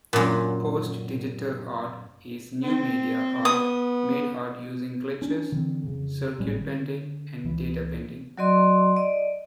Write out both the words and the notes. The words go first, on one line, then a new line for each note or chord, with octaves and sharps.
Postdigital art is new media art made art using glitches, circuit bending and databending.
F#2 A#2
C4
B3 D#6
C#4 D4
D3 E3 C4
F2 C#3
G#1 A2 G3 C#4
D3
C#2 E3
F#3 F#4 D5 D#5 C6
D5 D#5